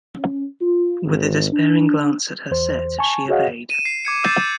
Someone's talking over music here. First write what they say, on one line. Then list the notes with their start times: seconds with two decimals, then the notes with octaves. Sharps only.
With a despairing glance at her set, she obeyed.
0.17 C#4
0.62 F4
1.05 G#1
1.52 D4
2.51 E2 C5
2.99 G#5 A5 C#6
3.29 F#4 G#4 C#5 D#5 F5 F#5
3.70 D#7 E7
3.85 C7
4.05 D6 G#6 C#7
4.23 D6 E6 G6 A6 C7 E7